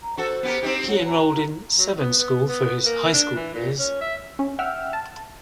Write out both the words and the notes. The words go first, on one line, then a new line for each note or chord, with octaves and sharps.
He enrolled in Severn School for his high school years.
A#5
F#4 A4 C5
B3 G4 A#4
C4 D#4 G4
F#4 C#5
A#5
F#3
B3
B3
B3
A#3
D4
E3
A#2
C#4
E5
C#4
E5 F#5 G5 E6 F6
A5